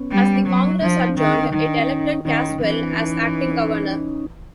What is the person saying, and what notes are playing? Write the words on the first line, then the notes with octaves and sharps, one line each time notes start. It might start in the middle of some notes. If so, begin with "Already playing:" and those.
As the congress adjourned, it elected Caswell as acting governor.
Already playing: B3 C#4
G3
F#3
F3 D4
D#4
C4 D4
D#3
D#3 D#4
D4
C#4 D#4
D#3 C#4 D#4
D#4
E3 C4 D4
C#4 D#4